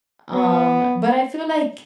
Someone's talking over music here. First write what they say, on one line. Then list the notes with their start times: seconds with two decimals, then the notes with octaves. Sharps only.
Um, but I feel like
0.34 B3